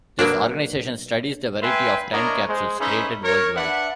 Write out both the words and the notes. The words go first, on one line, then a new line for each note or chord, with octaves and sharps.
This organization studies the variety of time capsules created worldwide.
B2 F#3 A#3 D4
B4 E5 F5 G5 G#5 C6
A#3 D4 E4 A#4 C#5 D#5
G#3 C5
C#4 D#4 G#4 B4 C5 E5
A#4 C#5
D4 B4 E5 F#5